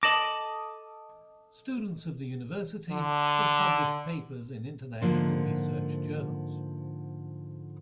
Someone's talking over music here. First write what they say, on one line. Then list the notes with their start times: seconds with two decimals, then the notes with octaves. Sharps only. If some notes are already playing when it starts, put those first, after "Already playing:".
Students of the University have published papers in international research journals.
0.03 A4 D#5 D6 A#6 E7 F#7
2.90 D3
5.01 G#2 D3 F3 A#3